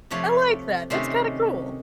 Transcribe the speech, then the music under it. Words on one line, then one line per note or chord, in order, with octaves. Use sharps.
I like that, that's kinda cool.
C3 F3 A3 C#5
C3 D#3 A3 C#4 C5